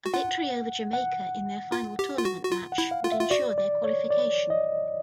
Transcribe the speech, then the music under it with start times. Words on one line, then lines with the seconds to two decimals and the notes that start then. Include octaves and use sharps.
A victory over Jamaica in their final tournament match would ensure their qualification.
0.06 F#4
0.14 F4 F#5
0.93 F#5
1.72 F4
1.99 G4
2.18 F4
2.25 F#4
2.44 F#4
2.52 F4
2.72 F#5
2.78 E4
2.91 F5
3.04 F4
3.12 E5
3.20 F4
3.30 F#4 D5
3.58 D5
3.84 C#5
4.10 D5
4.50 D#5